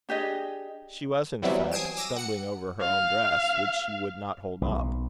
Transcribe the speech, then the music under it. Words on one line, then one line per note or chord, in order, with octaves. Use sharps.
She was, in fact, stumbling over her own dress, which she would not hold up.
D4 G4 G#4 D#5
E3 F#3 G3 B3 C4 E5
G#5 D#6 C7 D7 E7
D6 E6 A#6 D#7
F#5 C#7
F5
B1